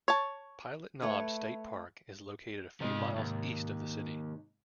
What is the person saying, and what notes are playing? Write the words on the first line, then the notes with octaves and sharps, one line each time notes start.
Pilot Knob State Park is located a few miles east of the city.
C#5 A5
A3 B4 C#5
G#2 C3 F3 D#5
D#2